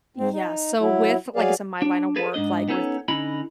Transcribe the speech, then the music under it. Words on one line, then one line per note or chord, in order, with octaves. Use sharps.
Yeah, so, with like, I said, my line of work, like, with
G#2 C4
D#4
F#3 E4
F#3 G#4 D5 F5
D4
G#4 A4 B4
G#2 D4 D#5
B3 C#4 D#4 A4 C5 C#5
D3 C#4 D#4 E4 B5